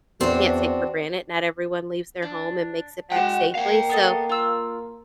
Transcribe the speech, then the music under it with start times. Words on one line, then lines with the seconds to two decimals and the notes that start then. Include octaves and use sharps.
we can't take for granted, not everyone leaves their home and makes it back safely, so,
0.21 E2 C4 D4 F#4
2.22 D4
3.12 G#3 F#4 F#5 G5
3.55 A#3 F5 G5
3.90 B3 A4 D#5
4.29 F4 E6